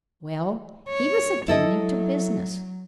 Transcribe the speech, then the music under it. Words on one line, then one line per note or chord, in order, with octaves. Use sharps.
Well, he was attending to business.
C#5
F#3 E4 A4 D#5